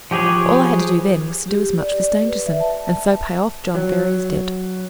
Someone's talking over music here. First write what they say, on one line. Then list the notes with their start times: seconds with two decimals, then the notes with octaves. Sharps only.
All I had to do then was to do as much for Stangerson, and so pay off John Ferrier's debt.
0.11 F3 G4 G#4 B4 C#5
1.48 G4
1.78 D5
2.28 B4
2.46 E5
2.60 A5
3.75 F#3